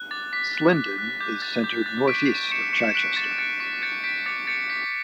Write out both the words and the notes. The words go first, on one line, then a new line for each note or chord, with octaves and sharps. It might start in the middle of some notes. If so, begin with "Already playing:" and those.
Slindon is centred north-east of Chichester.
Already playing: F#6
D6 A6
D6 B6
F#6
F#6
F#6
D6 G6
F#6 A6
D6 G6
F#6 A6
C#6 B6 D7
F#6
C#6 C#7 E7
C#6 C#7 E7
E7
F#6 B6 D7
C#6 A6 C#7
F#6 A6 C#7
C#6 B6
G6 A6 C#7
G6 B6 D7
D6 A6 C#7
G6 A6 C#7
G6 B6